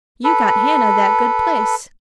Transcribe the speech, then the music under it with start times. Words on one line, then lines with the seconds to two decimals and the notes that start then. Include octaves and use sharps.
You got Hannah that good place.
0.24 A4 B4